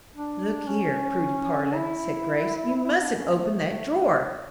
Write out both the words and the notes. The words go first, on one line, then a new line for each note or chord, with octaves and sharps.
"Look here, Prudy Parlin," said Grace, "you mustn't open that drawer."
D4
C#4
E4
E4
D4
C#4
A3